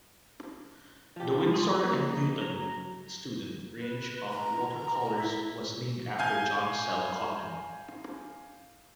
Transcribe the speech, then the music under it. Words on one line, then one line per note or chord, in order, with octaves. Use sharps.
The Winsor and Newton student range of watercolours was named after John Sell Cotman.
F3 G4
G#4 C6 C#6
A#3 D#4 B4
F#3 A#5
B4
A#5
E4
F5 G#5 G6